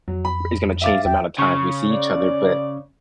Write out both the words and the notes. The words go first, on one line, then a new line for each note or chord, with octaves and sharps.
is gonna change the amount of time we see each other, but,
F2 F#3
B5
E5 F5 D6 A6
E2 G5
C#3 C#6
D5